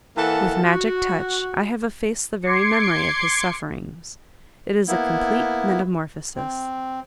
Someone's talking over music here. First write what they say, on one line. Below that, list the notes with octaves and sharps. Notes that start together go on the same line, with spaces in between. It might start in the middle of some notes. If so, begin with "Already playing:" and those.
With magic touch I have effaced the very memory of his sufferings. It is a complete metamorphosis.
E3 A#3 A4 F#5 A5
F#4
C6 D6 G#6 C7 C#7
A#3 B3 E4
C4